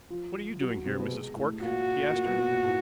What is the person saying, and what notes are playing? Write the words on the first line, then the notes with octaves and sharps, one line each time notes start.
"What are you doing here, Mrs. Cork?" he asked her.
F3 F4
F#3 F#4
C3 C4
B2 B3
G#3
A2 A3
A#2 A#3 F#4
A#2 A#3
B2 B3
B2 B3
A#2 A#3
A2 A3